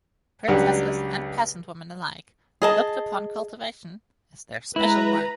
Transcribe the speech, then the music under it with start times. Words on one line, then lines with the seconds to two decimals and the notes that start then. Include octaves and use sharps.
Princesses and peasant women alike looked upon cultivation as their special work.
0.48 C#2 F#3 G3 D4 G4 F#5
2.62 G#4 D#5 A5
4.76 G#3 E4 B4 A#5